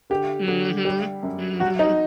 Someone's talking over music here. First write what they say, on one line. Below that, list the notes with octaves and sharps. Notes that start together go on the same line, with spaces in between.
Mhm. Mhm.
D3 G4
D3
G3
F#2
F#3 F#4
D#4